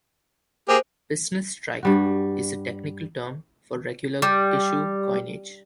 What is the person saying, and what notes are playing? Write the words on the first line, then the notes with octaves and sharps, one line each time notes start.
"Business Strike" is the technical term for regular issue coinage.
A#3 G4 G#4 C5
G2 G3 F#4
G3